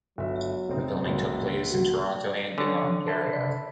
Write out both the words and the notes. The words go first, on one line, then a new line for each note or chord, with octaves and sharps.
The filming took place in Toronto and in Ontario.
G1 F#3 E5
F1 C4 D#4
C#2 F#2 A#2
F#4
D3 C#4
B4 E5 A5